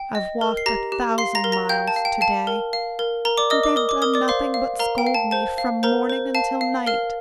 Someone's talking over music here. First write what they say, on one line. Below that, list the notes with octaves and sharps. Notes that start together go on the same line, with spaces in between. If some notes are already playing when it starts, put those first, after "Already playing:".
I've walked a thousand miles to-day, and they have done nothing but scold me from morning until night.
Already playing: G5
D#5
A#4
C7
G4 A#5 A#6
G4
F5 C6 C7
A#5 A#6
A#4
A#5 A#6
F5 G5 G6
A5
F5
G5
F5 A5
A#4
F5
A#4
A#4 A#5
D5 D6
A#4 D#5 D#6
D6
A#4 D#6
D6
A#4 D#6
D5 D6
C5 F5 C6
F5
A#4 F5 A#5
G5
F5
A5
C5 A5
F5
A#4 C5 A#5
C5
F5 A5
F5
A#4 F5 F6